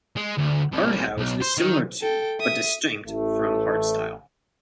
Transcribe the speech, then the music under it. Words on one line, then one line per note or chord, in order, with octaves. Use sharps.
Hard house is similar to, but distinct from hardstyle.
G#3
D2
C2
B1
C5
D#3
A4 G5
E5 D#6
A1 A3